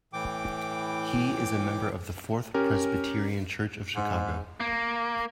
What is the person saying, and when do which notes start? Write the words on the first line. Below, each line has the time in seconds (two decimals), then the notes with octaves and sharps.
He is a member of the Fourth Presbyterian Church of Chicago.
0.13 A2 E3 G5 D6
2.54 C#4 G4 A#4
3.96 G#2
4.60 A#3